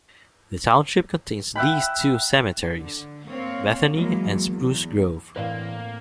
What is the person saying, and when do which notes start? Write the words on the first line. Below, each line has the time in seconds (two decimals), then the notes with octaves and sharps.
The township contains these two cemeteries: Bethany and Spruce Grove.
1.56 E5 F#5 G5 B5
2.75 D3
3.27 A#3 C4 C#5 F5
3.93 E3 F#3 G#3 A#3
4.47 E2
5.36 A2 E3 A#3 C4 B4 D5 F5